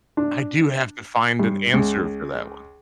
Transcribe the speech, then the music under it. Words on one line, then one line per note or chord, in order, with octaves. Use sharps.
I do have to find an answer for that one.
D4
G2
C#2